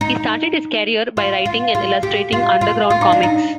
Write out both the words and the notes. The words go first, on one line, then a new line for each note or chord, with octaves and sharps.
He started his career by writing and illustrating underground comics.
D#4
F4
F4
F4
G4
F4
F4
F4
D#4
D4
D#4